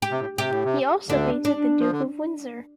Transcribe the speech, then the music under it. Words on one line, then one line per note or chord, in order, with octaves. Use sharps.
He also painted the Duke of Windsor.
G4
C3
A2
C3 G4
A2
C3
D2 D3 D4
D4
F3
D3